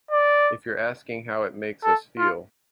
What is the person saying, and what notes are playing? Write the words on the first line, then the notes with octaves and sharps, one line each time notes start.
If you're asking how it makes us feel?
D5
A4
F4